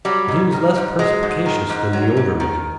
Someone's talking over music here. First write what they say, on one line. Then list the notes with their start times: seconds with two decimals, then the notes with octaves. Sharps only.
But he was less perspicacious than the older man.
0.05 F#3 G3
0.28 G#2
0.52 D#3
0.76 G#2
0.99 F#3 G#3
1.23 G#2
1.46 D#3
1.69 G#2
1.93 F#3
2.17 G#2
2.40 D#3